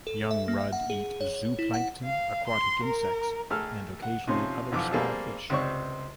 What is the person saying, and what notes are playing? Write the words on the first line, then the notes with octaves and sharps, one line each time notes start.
Young rudd eat zooplankton, aquatic insects, and occasionally other small fish.
A4
E5
A#3
E5
F#5
G#4
C#5
E4
F#5
F5
C6
A#4
A#1 A3 G#4 A4 F6
F#5
C3 F3 C#4 D#4 C6
B1 F2 E3 F3 C4 D6
G3 A3 A#3 C4 G#4 A4
C#2 C3 C5 D5 C#6